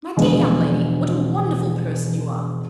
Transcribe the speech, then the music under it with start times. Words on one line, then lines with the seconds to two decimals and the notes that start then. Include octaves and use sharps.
My dear young lady, what a wonderful person you are!
0.17 E1 D3 F3 G#3 B3 D#5